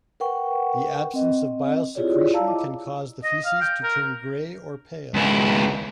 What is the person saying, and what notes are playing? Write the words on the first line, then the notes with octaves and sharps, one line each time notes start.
The absence of bile secretion can cause the feces to turn gray or pale.
A#4 B4 F#5 G5 C#6
C4 D#5
E4 F4 G4 G#4 C#5 D5
D5 F5 A5 A#5 E6
E4 D#5 D6
D#5
F5
G5
A#4
C#2 E4